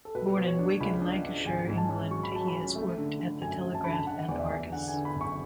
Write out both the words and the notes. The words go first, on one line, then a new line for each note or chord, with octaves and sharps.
Born in Wigan, Lancashire, England, he has worked at the Telegraph and Argus.
A4
B2 B4
B2
C#5
D4
C#2 B5
D4
D4
G#1 G#5
G#2
A5
C#4
F#3 C#6
B5
F#3 A5
B5
C#4
A3
D3
D3
F#2 G#5
F#2
A5
D3 B5
A5
D3 F#5
E2 D5
E5
E2
D3 F#5
G#5
D3
B5
F#1
C#6